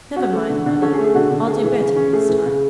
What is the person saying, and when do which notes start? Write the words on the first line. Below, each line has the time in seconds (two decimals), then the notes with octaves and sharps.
'Never mind, Mother; I'll do better next time.'
0.16 C#4 F#4
0.33 A3
0.49 D3
0.66 D3
0.82 C#4 A4
0.93 G#4
0.98 A3
1.04 G#4
1.15 D3 F#4
1.31 D3
1.47 A3 G#4
1.63 E3
1.80 C#3
1.96 C#4
2.13 A3 G#4
2.29 E3
2.46 C#3